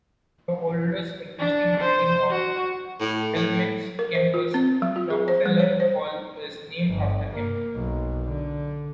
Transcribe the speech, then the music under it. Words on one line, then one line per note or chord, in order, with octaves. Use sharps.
The oldest existing building on Spelman's campus, Rockefeller Hall, is named after him.
D4
C5
F#4
A2
A2
A#4
C5
F4
C4
F#3
F4
G#4
C5
G3
C#5
C5
G1
A#3
B1
D3